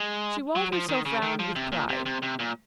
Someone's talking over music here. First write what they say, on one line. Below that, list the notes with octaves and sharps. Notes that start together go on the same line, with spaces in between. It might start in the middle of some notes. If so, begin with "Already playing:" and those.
She walled herself round with pride.
Already playing: G#3
F#3
F3
D#3
C#3
D#3
F3
C3
A#2
C3
C3
C3
A#2